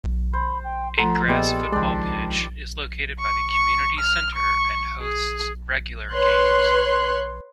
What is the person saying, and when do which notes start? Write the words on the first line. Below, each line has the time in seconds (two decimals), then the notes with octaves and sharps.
A grass football pitch is located by the community centre and hosts regular games.
0.33 C5 B5
0.64 G5
0.98 F3 A3 A4 F#5 A#5 C6
1.28 A#2 G3 G#3 B3 A4 G5
1.72 C#2 D#3 F3 G#3 C4 D4 A5
3.20 C#6
3.51 C#6
3.99 F6
4.35 C#6
5.01 G#4
6.13 B4 C#5 C6 F#6